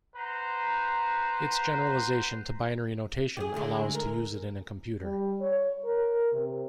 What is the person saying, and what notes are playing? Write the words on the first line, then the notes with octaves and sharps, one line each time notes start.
Its generalization to binary notation allows to use it in a computer.
B4 C5 F#5 A#5
G4 G#4
D2 D3 G#3
A#4
G3
C#5
A#4
C3